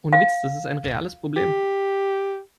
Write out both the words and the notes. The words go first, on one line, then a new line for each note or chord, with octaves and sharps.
Ohne Witz, das ist ein reales Problem.
F5
G4